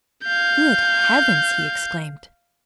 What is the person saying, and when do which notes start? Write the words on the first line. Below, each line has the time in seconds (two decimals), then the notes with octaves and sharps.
"Good heavens!" he exclaimed.
0.24 F5 G6